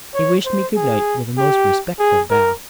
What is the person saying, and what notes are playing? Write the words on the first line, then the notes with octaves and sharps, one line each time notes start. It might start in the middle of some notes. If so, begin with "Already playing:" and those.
He wished me good night with a most respectful bow.
C#5
C5
G#4
G4
G#4
A#4